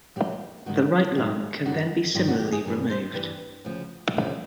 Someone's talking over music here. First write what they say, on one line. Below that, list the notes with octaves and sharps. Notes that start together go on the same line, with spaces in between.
The right lung can then be similarly removed.
A#2 F#3 G4
G#2 D#3 G3 F#4
G#2 D#3 G3
G2 D#3 G3 F#4
G2 D#3 G3 F4
F#4
G4
G#4
G2 E3 G3 A#4
C5
G2 E3 G3 B4
D2 C#3 F3
D2 C#3 F3